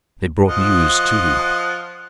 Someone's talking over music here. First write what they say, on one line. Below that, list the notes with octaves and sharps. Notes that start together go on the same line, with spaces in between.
They brought news, too.
F3 D#5 F#5